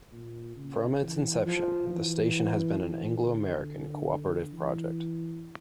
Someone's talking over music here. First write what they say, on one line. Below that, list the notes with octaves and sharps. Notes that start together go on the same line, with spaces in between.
From its inception, the station has been an Anglo-American co-operative project.
A#2
C#3
E3
F3
E3
E3
D3
E3